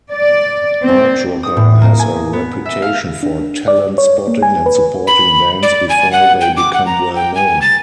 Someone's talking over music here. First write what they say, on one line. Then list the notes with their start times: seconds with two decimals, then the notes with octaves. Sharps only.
Artrocker has a reputation for talent-spotting and supporting bands before they become well known.
0.11 D5
0.83 C4
1.43 D#6
1.57 A2
1.81 A#3
1.99 G#5
2.33 B3
2.65 E5
2.82 F5
3.23 D4
3.68 D5
3.98 C#5
4.28 A#3
4.43 G#5
4.66 B4
5.07 B5
5.63 D5
5.89 G#5
6.12 F#5
6.41 G5
6.57 D6
6.73 F#5
6.86 A#5
7.15 G5
7.35 G#5
7.62 A6